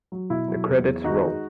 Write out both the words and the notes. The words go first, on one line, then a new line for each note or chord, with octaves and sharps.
The credits roll.
F#3
B2 E4
F#3
E2
E2
D#3 D#4 F#4
G#3